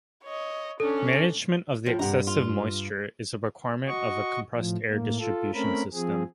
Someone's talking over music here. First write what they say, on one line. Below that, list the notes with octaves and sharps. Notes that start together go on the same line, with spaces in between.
Management of the excessive moisture is a requirement of a compressed air distribution system.
C#5 D#5
C#4 D4 A4
A2 F3
G2 C3 F#5 A#5
F4
F#4 D#5 C#6
A2 F3
A2 A#3
F4 A4
A3 C4 C#4 A#4 B5
F3 C4 G#4